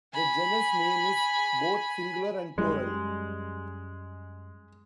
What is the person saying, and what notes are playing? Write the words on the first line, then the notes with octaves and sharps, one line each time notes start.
The genus name is both singular and plural.
G#5 B5
F#2 G3 G#3